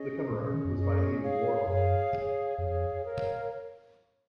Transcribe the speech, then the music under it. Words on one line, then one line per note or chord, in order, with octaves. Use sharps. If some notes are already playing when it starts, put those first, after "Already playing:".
The cover art was by Andy Warhol.
Already playing: C#4 G#4 D#5
A#2 C#4 G#4 D#5
B2
D#3
F#2
F#2 C#4 G#4 D#5
G#4 C#5 F5
F#2 G#4 C#5 F5
G#4 C#5 F5
F2 G#4 C#5 F5
A#4 C#5 F5